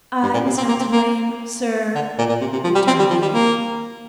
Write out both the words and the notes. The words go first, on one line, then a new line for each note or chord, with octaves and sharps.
"I was not to blame, sir," returned the lady.
G2
A#2
C3
C4
A#3
C4
A#3
D3
A#2
A#2
C3
C3
F3
G3
C4
G3
F3
G3
A#3